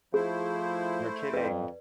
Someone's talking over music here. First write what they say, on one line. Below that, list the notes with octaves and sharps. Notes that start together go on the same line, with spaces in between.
You're kidding.
F3 A3 E4 G#4 C5
F2 B4 D5